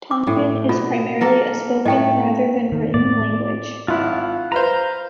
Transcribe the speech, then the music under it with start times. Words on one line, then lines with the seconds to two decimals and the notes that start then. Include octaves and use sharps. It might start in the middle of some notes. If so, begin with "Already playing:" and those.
Tongan is primarily a spoken, rather than written, language.
0.11 D6
0.27 A2
0.69 B2 F4
1.21 A#3 A4 A#4
1.86 A2 A3 D#5 G5
2.72 D#3
2.94 A2 D5
3.88 G#1 E4 F4 F#5
4.52 B4 C5 F5 A#5